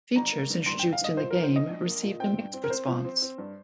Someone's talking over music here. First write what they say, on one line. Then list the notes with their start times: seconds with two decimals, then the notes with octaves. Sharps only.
Features introduced in the game received a mixed response.
0.16 G1 A#5
0.33 A#3
0.50 G2
0.66 G2 C6
0.79 G1 G5
0.93 F5
1.01 G2 D#5
1.17 A#2 C5
1.31 D#4 A#4
1.43 C5
1.51 A#1 D#5
1.69 A#1
1.85 A#3
2.03 A#2
2.20 C4 G5
2.37 G2
2.53 C4
2.64 A#4
2.70 C4 C5
2.87 F3
3.05 C4
3.22 C4
3.38 G2